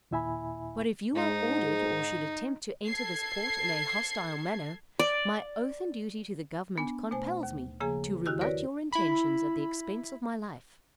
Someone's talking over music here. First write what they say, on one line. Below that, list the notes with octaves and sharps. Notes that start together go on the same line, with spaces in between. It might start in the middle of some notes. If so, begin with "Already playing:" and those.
But if you are ordered, or should attempt to enter this port in a hostile manner, my oath and duty to the government compels me to rebut your intentions at the expense of my life.
D#2 A#2 E4 E5 G#5 B5
G#2 D#4
A4 G#6 C7
D5
B3 D4 G#5
B2 A3 C5 G#5
D#2
C#3 F3 A#3 G#4 G#5
E2 D#3 E4 F#4 G4 F6
F#4 A#4 B4 C#5 D5
E4 B5